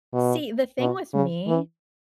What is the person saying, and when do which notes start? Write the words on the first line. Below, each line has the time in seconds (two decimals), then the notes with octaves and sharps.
See, the thing with me
0.14 B2
0.79 B2
1.14 C#3
1.47 E3